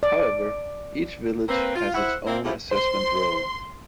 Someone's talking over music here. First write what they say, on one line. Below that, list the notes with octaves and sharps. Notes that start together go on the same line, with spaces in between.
However, each village has its own assessment roll.
D5
A#3 C4 B4
F4
E4 C5 E5 F#5
A#3 C4 E4
A2 F3 G#3 E4 F4 G4
C5 C6